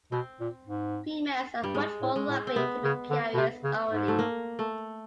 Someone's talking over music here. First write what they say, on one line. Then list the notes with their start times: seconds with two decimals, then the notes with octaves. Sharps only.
Females are much more likely to be carriers only.
0.12 B2 C4
0.40 A#2
0.67 G#2
1.63 G2 G3
1.75 G#2 G#3
2.01 A2
2.16 G#3
2.29 A2
2.47 C4
2.56 C3 B3
2.84 C#3
3.10 D3
3.34 B2
3.37 C3
3.64 C#3
3.91 G#2
4.08 A3
4.19 A#3
4.59 A3